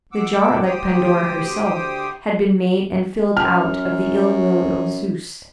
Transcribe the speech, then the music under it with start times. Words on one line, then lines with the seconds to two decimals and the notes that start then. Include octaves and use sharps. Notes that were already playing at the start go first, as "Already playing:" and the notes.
The jar, like Pandora herself, had been made and filled out of the ill will of Zeus.
0.12 F#5 D6 E6
0.64 D2 G4 C5 G5 D#6
3.37 F#2 F6